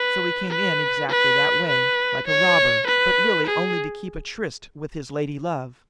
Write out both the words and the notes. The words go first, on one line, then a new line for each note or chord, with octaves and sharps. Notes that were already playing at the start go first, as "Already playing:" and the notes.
So he came in exactly that way, like a robber, but really only to keep a tryst with his lady love?
Already playing: B4
B4
B4
B4
C#5
B4
G#4